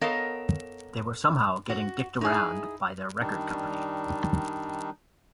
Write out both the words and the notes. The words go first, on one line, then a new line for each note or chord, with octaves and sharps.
They were somehow getting dicked around by their record company.
B3 A4 A#4 C#5 D#5 F5
F#4
D#4 E4 G#4
D#3 G3 D4 D#4